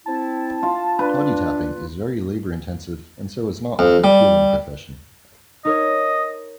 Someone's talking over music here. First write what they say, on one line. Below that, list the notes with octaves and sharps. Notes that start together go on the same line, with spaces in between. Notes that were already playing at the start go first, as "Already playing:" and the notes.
Toddy tapping is very labour-intensive and so is not an appealing profession.
C4 E4 A5
F4
D4 B4
F2
G3
D#4 A#4 C#5 D#5